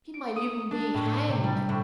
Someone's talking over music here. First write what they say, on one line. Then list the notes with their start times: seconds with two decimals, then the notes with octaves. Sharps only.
He might even be hanged.
0.14 D7
0.36 D#6
0.71 D4
0.94 A2
1.28 C3
1.44 G3
1.69 A2